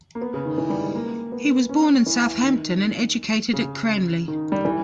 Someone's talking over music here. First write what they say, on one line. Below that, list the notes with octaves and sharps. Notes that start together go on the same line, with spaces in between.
He was born in Southampton and educated at Cranleigh.
A#3
B3
C#3
D#3
E3
G3
G#3
A#3
B3
C#4
E3
D#3
C#3
D#3
G3
E3